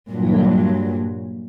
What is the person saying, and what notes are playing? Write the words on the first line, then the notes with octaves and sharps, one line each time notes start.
You know?
G2 A#2 F#3